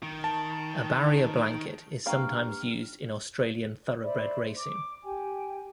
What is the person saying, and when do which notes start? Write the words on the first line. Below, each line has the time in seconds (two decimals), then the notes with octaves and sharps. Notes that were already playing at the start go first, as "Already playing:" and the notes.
A "barrier blanket" is sometimes used in Australian Thoroughbred racing.
0.03 D#3
0.24 A5
2.06 G2 A#3 F5 G5 A#5 C#6 F6
4.04 C5 D5 E5 B5
4.57 D6
5.04 G4 G5 G#5